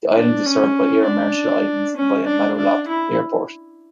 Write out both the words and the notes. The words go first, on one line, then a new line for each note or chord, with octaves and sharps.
The island is served by Air Marshall Islands via Maloelap Airport.
D4
C#4
D4
C#4
D4
D4
E4